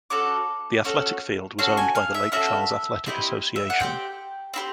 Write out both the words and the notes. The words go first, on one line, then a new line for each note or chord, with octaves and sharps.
The Athletic Field was owned by the Lake Charles Athletic Association.
C#4 F#4 A4 D6
C#4 F#4 A4
C#4 F#4 A4 C6
G#5
F5
E5
C#4 F#4 A4 E5
C4 E4 G4 D#5
E5
F#5
C4 E4 G4 G5
C4 E4 G4